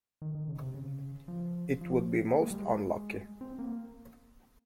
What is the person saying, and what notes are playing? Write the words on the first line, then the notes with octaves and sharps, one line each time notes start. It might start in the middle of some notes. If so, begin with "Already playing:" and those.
It would be most unlucky.
D#3
D#3
C#3
C3
C#3
F3
F3
A#3
G#3
G3
G#3
C4
A#3